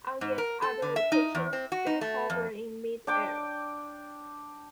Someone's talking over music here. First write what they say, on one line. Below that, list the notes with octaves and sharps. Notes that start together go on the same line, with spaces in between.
On yet other occasions, they hover in mid-air.
G#2
A#4
A4
D3
E5
D#4
E2
C4
F#4
D#4
A3
F2
D4 G5 D6